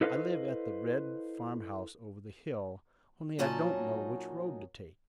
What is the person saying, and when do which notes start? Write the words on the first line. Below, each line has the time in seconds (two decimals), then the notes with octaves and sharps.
'I live at the red farm-house over the hill, only I don't know which road to take.'
0.01 E4 A4 B4 C5 D#5 F5
3.39 A#2 F#3 C#4 D#4 A5